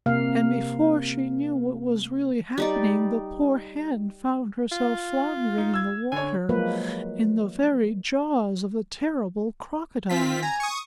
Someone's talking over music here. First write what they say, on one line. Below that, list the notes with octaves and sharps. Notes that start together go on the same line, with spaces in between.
And before she knew what was really happening the poor Hen found herself floundering in the water in the very jaws of the terrible Crocodile.
C3 A#3 F5
G3 D#4 D5
F4
D#4
E6 G#6
D3 C#5 G#5
F3 F#3 G#3 A#3 B4
C4 F4 B6
G#5 A#5
C#6 D#6